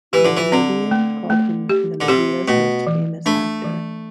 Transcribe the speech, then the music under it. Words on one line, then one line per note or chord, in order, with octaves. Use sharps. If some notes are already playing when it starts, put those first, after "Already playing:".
"The Namibian" called him "Namibia's most famous actor".
E3 G4
D3
E3
D3 C4
A3
A3
G4
D3
C3 G4
B2 A3
E3
A3 D4
E3